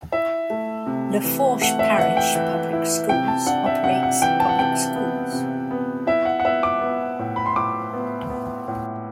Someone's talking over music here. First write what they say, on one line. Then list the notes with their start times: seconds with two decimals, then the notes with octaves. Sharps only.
Lafourche Parish Public Schools operates public schools.
0.12 E4 E5
0.50 A3
0.87 C3
1.24 E3
1.61 A3 F#5
1.79 E5
1.98 E3 F#5
2.17 G5
2.35 E3
2.73 E4
3.09 C3 G5
3.28 A5
3.47 D4 F#5
3.66 E5
3.84 C3 F#5
4.03 F#5
4.22 E3 G5
4.40 A5
4.49 F#5
4.59 C3 G5
4.96 B3
5.32 C3
5.71 B3
6.07 E4 E5
6.25 F#5
6.40 F#5
6.45 B3 E5
6.63 D6
6.81 B3
7.19 A2
7.36 B5
7.46 C6
7.56 A2 D6
7.93 B3
8.30 B3
8.68 A2